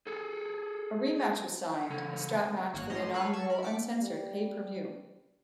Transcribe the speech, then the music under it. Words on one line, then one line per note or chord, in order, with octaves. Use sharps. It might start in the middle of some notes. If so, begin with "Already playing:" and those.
A rematch was signed, a strap match for the inaugural Uncensored pay-per-view.
G#4 A4
C#3 A4
G#1 A#3 F#4 C#5 F#6
A2 F3 C#4 D#5 A#5 C6
A4 B4 C#5 F5 B5 F#6
A5 C#6 E6 G#6
A#4 B5
D6 B6 C#7
G3